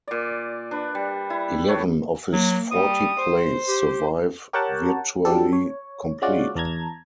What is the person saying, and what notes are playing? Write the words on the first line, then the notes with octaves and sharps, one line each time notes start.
Eleven of his forty plays survive virtually complete.
A#2 D5
D4 B4
G3
E4
A2 B4 C#5 A5
F#3 A#3
G3 D#6
C5
G4
G4 A#4 C#5 F#5 G5 A5
F3 F#3 D4 G4 A4
C#5
G#3 C#4 F4 F#4 D5
E2 A5 A#5 G#6